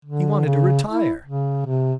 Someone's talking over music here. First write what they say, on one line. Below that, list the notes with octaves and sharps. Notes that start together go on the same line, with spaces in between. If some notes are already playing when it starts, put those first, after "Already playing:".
He wanted to retire.
D3
C#3
E4
C#3
C3